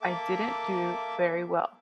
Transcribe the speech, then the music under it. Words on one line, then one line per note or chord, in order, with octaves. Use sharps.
I didn't do very well.
A#3 A4 E5 D6